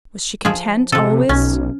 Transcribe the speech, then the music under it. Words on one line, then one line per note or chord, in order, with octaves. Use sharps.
Was she content, always?
F3 G#4
C3 F3 A4
B1 C#4